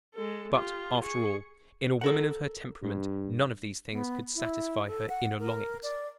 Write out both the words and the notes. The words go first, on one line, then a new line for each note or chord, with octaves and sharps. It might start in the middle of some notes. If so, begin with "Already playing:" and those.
But, after all, in a woman of her temperament none of these things could satisfy her inner longings.
G#3 A4
F4 G4
G#4 C#6
A4 A#4 F#5
G2
B3
E4
A4
F#5
A#4
D5